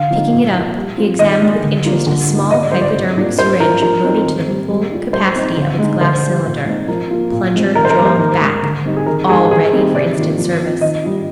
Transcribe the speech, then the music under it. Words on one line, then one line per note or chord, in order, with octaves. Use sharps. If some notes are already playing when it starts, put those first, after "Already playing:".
Picking it up, he examined with interest a small hypodermic syringe loaded to the full capacity of its glass cylinder, plunger drawn back--all ready for instant service.
Already playing: D3 F5
F3 C4 D#4
A#2
F3 A#3 F4
G3
C4 F4
D#3 D#5
G#3 D4
D3
G3 A#3 D4 F4
D3
G3 A#3 D#4
D3 D#5
D5
G3 D4 F4 C5
D5
C3
G3 A#3 D4 F4
G3 C5
D4 F4 A#4
F3 A#4
C4 D#4
D#3
G3 C4
G3
D4 F4
G3 C5
C4 D#4
D3
G#3 D#4
D3 C5
G3 D4
A#2
G#3 C4 D#4
F3 A#4
A#3 F4
A#2
F3 G#3 C4
D#3 A#4
C5
A#4
G3 A#3
C5
D#3 A#4
G#3 D4
D3
G3 C4 D#4
G#4
D#3 A#4
G#3 D#4 G#4
D#3 G#4
G3 C4 D#4
C3 D5
D#3 A#3 F4
F3
C4 F4
D#3 D#5
G3 D4 F4